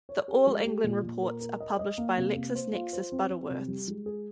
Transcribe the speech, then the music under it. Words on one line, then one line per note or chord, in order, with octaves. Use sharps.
The All England reports are published by LexisNexis Butterworths.
C#5
G4
G#3
G4
A#2
A#2
A#4
A#4
D#5
D#5
A#3
C3
A#3
C5
F4
C5
C4
C4
C3
G3
G#3
G#4